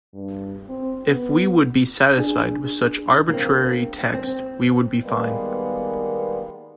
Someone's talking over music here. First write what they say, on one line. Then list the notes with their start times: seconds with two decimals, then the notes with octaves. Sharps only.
If we would be satisfied with such arbitrary text, we would be fine.
0.14 G2
0.69 C4
1.08 B3
2.18 D4 G#4
3.30 A#3 C4
4.15 C4
5.00 D#3 G3 G#3 A#3 B3